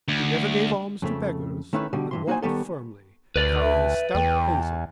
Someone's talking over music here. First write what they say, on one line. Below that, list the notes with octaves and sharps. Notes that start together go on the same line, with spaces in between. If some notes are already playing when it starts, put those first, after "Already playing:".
He never gave alms to beggars and walked firmly, carrying a stout hazel.
D2
F2 C#3 A3
D#3 A3 C#4 E4 B4
B2 D3 G3
G2 E3 C6
A#3 D#4 F#4 A4 C5 G#5
D#3 G3 B3 A4
D2 B4 D5
E5
E2 G5